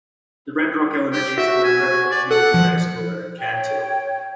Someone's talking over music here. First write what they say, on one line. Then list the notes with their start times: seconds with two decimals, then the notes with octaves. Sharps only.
The Red Rock Elementary School and Red Rock Community Day School are in Cantil.
1.13 G4
1.38 F#4 E5
1.64 G#5
2.11 D5
2.31 A4 F#5
2.54 F3
3.39 C#5 G5